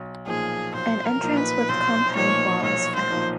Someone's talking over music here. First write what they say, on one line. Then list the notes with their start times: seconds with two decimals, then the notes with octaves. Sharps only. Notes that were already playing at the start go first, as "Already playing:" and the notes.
An entrance with compound wall is found.
Already playing: B1
0.27 A#2 F3 A#3 D#4 G#4
0.74 B1 C5
1.06 A#4
1.22 A#2 F3 A#3 D#4
1.37 B4
1.69 B1 C5
2.15 A#2 F3 A#3 D#4 C#5
2.63 B1 C#5
2.95 C5
3.10 A#2 F3 A#3 D#4